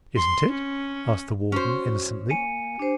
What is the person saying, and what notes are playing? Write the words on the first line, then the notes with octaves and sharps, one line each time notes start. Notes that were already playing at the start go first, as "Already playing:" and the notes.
"Isn't it?" asked the warden, innocently.
C6
C#4
C#4 F#4 C5
A#3 G#5 C#7 D#7
D4 G4 C5